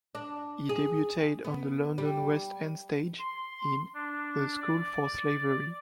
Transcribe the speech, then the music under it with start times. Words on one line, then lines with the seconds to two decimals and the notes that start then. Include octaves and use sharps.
He debuted on the London West End stage in "The School for Slavery".
0.15 D4
0.69 G#4
1.44 B3
1.98 G3
3.19 C6
3.94 D4
4.60 D5